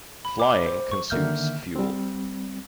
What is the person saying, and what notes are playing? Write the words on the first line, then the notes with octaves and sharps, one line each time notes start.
Flying consumes fuel.
B5
D6
C5
C#6
D3 D#3 A#3 E5 F6 G6
G3 C4